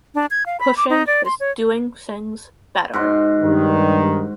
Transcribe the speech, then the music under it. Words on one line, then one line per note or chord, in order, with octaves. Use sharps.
Pushing is doing things better.
D4
G#6
F5
B5
D6
D#4
D5
C6
C#5
G#2 F#4 C6
G2 D#3